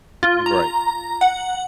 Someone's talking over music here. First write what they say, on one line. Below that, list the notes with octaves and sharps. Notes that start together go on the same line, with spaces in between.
M right.
F4
A#5
F#5